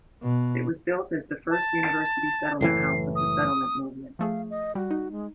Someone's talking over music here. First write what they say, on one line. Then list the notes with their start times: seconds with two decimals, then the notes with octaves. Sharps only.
It was built as the first university settlement house of the settlement movement.
0.22 B2
1.51 A5
2.61 F#1 A2 E3 C7
3.16 D#6
4.19 F3 A3 G#4 F5
4.50 D#5
4.75 G3 F#4
4.91 D#4
5.12 G#3